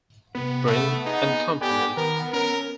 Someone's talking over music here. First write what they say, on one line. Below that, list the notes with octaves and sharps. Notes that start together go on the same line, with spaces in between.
Brill and Company.
C3 B3 B4
A3
D#4 G#4
B3 G4 A4 D5 G#5
D#3 B3 A#4
C#4 A#4 C#5